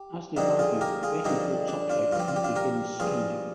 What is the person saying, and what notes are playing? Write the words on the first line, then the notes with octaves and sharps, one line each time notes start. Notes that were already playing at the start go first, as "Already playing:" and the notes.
As they argue, Betty bolts upright and begins screaming.
Already playing: G4
G2 D3 F3 D#4 G4
F4 G#4
G4 A#4
F4 G#4
G2 D3 F3 D#4 G4
D4
D4 F4
G2 F3 F4 G4
F4
G4
D4 F4
G4 A#4
G2 F3 F4 G#4